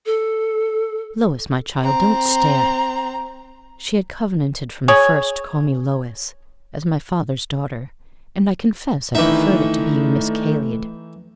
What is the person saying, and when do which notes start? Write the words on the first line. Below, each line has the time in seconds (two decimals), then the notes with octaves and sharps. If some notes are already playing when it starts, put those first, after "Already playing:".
'Lois, my child, don't stare'--she had covenanted from the first to call me Lois, as my father's daughter, and I confess I preferred it to being Miss Cayley'd.
0.06 A4
1.81 C4 A#5
4.88 G#4 C#5
9.15 D#3 E3 A3 D4 D#4 E5